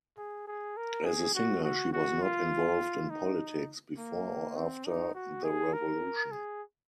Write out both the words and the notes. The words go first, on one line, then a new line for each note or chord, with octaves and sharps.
As a singer she was not involved in politics, before or after the Revolution.
G#4
G#4
A#4
G#4
F#4
F#4
F#4
F4
D#4
A#3
C4
D#4
F#4
G#4
A#4
G#4